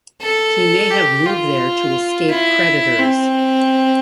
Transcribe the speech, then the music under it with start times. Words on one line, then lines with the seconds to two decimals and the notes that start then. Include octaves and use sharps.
He may have moved there to escape creditors.
0.21 A4
0.91 G4
1.26 F4
2.30 E4
2.98 C4